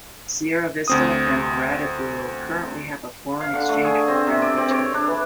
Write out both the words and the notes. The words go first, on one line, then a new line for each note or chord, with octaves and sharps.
Sierra Vista and Radebeul currently have a foreign exchange program with each other.
D2 C4 D#6
F5
D3
A3
G#4
C4
C3
D5
C4
C#5
D4
E3